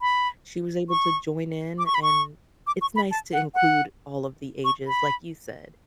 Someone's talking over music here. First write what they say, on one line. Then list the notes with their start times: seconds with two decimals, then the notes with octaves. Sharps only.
She was able to join in, and it's nice to include all of the ages, like you said,
0.01 B5
0.90 C#6
1.78 D6
1.86 C#6
1.95 B5
2.02 C#6
2.67 D6
2.81 C#6
2.96 B5
3.11 A5
3.33 F#5
3.55 F#5
4.65 C#6
4.88 B5